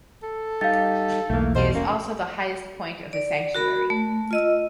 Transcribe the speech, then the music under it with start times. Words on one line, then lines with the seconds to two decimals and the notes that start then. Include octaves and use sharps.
It is also the highest point of the sanctuary.
0.23 A4
0.61 G3 D#4 G4 F5 A6
1.30 B1 E2 E3 A3 A#3
1.56 B2 C5 D#5
1.75 E1 A#3 C#4
3.13 D5
3.55 F#4 A#4 B5
3.90 A3
4.31 F4 D#5 E6